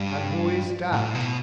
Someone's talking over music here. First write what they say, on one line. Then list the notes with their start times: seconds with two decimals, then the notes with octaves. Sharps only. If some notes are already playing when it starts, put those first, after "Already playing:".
And who is that?
Already playing: G2
0.92 A2
1.15 B2